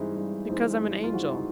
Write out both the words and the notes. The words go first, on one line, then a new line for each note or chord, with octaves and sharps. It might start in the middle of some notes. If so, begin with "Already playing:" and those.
"Because I'm an angel."
Already playing: G2 E3 G#3 C4 D#4 E4
G2
E3 G#3 C4 D#4
G2
F4
E3 G#3 C4 D#4 F#4
D#4